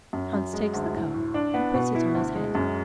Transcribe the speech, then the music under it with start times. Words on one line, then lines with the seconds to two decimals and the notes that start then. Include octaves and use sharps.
Hans takes the calf, and puts it on his head.
0.13 F#2
0.33 F#2
0.53 G#3
0.74 D2
0.94 A2
1.14 A2
1.34 D4
1.54 B3
1.74 B2
1.95 E4
2.15 D2
2.35 G#3
2.55 F#2